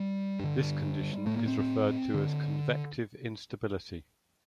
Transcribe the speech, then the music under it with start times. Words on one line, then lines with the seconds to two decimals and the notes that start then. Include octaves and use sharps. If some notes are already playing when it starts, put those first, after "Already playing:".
This condition is referred to as "convective instability".
Already playing: G3
0.40 G2 D3
1.26 A2 A3
1.36 A#3
1.48 C4
1.59 C4
2.14 D3